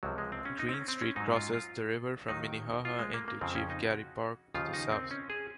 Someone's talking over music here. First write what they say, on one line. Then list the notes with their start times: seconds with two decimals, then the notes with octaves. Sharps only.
Greene Street crosses the river from Minnehaha into Chief Garry Park to the south.
0.03 C#2 C3 F3 F#3
0.18 G#3
0.32 C4
0.45 C#4
0.59 D#4
0.69 C4
0.74 C#4
0.88 C4
1.02 C#4
1.16 G#2 F#3 D#4
1.35 F4
1.53 F4
2.28 D#2 D#3 F#3 D#4
2.85 F4
2.99 G#3
3.14 A#3
3.28 A#3
3.41 F2 C#3 F3 C4
3.55 C#4
3.70 D#4
3.84 F#4
4.54 D#2 C#3 F3 F4
4.74 D#4
4.92 C4
5.11 C#4
5.30 G#4